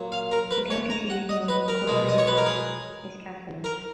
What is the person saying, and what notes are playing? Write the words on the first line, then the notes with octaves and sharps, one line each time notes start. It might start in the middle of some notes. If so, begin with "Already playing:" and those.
The county seat and only incorporated town is Cathlamet.
Already playing: A#2 F#3
F5
A#4
B4
C#5
A#5
F#5
D#5
B4
A#4
B2 G#3
D#5
C#5
B4
A#4
G#4
A#4